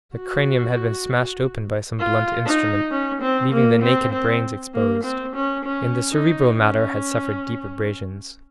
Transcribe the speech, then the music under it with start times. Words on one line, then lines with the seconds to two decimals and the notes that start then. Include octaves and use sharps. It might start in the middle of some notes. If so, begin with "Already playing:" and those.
The cranium had been smashed open by some blunt instrument, leaving the naked brains exposed, and the cerebral matter had suffered deep abrasions.
0.15 F#4
1.99 F4
2.45 D#4
2.91 C#4
3.21 C4
3.52 A#3
3.82 C4
4.12 C4
4.74 A#3
5.04 C4
5.36 C#4
5.65 C#4
6.11 D#4
6.57 C#4